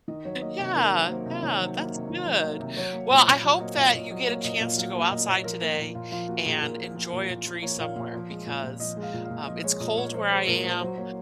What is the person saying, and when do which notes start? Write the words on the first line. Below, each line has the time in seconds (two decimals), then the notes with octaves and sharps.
Yeah, yeah, that's good. Well, I hope that you get a chance to go outside today and enjoy a tree somewhere because, um, it's cold where I am,
0.08 D#3 D#5
0.25 F#3 C#5
0.42 A#3 D#5
0.59 C3 C#5
0.75 D#3 A#4
0.92 F#3
1.08 A#3 C5
1.26 C3
1.42 D#3 C#5
1.59 F#3
1.76 A#3
1.93 C3
2.10 D#3
2.26 F#3
2.44 A#3
2.60 C3
2.77 F#3 C#5
2.93 A#3
3.10 A#2 C5
3.27 A#2
3.44 F#3
3.60 A#3 D#5
3.77 A#2 F5
3.94 A#2 D#5
4.10 F#3 D#5
4.27 A#3 C#5
4.44 A#2 D#5
4.60 A#2 F5
4.78 F#3 F5
4.95 A#3
5.11 A#2 D#5
5.28 A#2 C#5
5.44 F3 A#4
5.61 A#3 A#4
5.78 A#2
5.95 A#2 F4
6.11 F3 F4
6.28 A#3 F#4
6.45 A#2 G#4
6.62 A#2 A#4
6.79 F3
6.95 A#3
7.12 A#2
7.29 A#2
7.46 F3
7.62 A#3 C#5
7.79 A#2 F5
7.96 A#2 F5
8.13 F3
8.30 G#3
8.46 A#2
8.63 A#2
8.80 F3 D#5
8.97 G#3
9.02 F5
9.13 A#2
9.25 F5
9.30 A#2
9.47 F3 D#5
9.64 G#3 C#5
9.80 A#2 D#5
9.97 A#2 C#5
10.14 F3 C5
10.31 G#3 C5
10.48 A#2 A#4
10.64 A#2 C5
10.81 F#3 C5
10.98 A#3 C#5